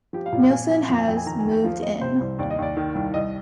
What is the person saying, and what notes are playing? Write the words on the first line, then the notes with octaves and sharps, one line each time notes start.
Nilson has moved in.
F3 G4
F5
A#2
F5
F3 G#5
F3 G#5
F2
G#5
F2 G5
G#5
D#3 A#5
G#5
D#2
G5
F3 F5
F3 D#5
C3 C5
C2 C5
D#2 D5
D#5
D#2 D5
D#3
C2
C2 D#5